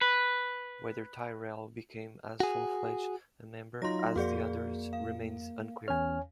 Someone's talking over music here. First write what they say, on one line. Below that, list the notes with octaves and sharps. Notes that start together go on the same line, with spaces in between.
Whether Tyrell became as full-fledged a member as the others remains unclear.
B4
F#4 G#4
F#3 D#4 F4 C6 A#6
F2 A#3 F#4 G#4 D5
F5
E2 C#4 C#5 G#5 F6